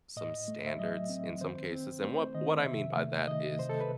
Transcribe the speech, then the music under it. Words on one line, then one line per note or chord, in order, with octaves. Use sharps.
some standards in some cases. And what what I mean by that is,
A2 D#5
A3
E5
F#3 D#5
C4
D#3 C5
C4
A3 C5
D#3 D#5
C3 E5
A3
D#3 D#5
C3 C5
A4
B4